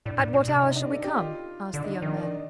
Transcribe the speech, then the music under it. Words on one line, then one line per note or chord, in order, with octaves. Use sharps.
"At what hour shall we come?" asked the young man.
A2 D4
A2
A#2
C3
D#4
D4
D#4
A4
G4
F4
D3 D4
D#4
D4
D#3 D#4
D4